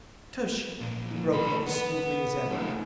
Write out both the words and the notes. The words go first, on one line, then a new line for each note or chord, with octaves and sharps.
"Tush," he broke in as smoothly as ever.
A#2 F3
D2 B5
B3
A3 D#4